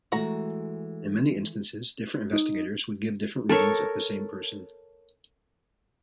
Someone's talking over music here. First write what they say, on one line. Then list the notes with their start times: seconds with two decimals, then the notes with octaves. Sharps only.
In many instances, different investigators would give different readings of the same person.
0.12 E3 G#3 A3 F#4 A#5
2.33 D#4
3.49 A4 A#4 C#5